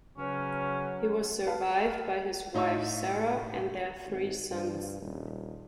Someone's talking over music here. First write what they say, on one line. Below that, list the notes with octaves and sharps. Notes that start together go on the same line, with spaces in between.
He was survived by his wife Sara, and their three sons.
C#3 F#3 C#4 B4 C#5 F6
B4 F5 A5
A2 D#4 C#5 C#6 E6
G#1
G2
D#1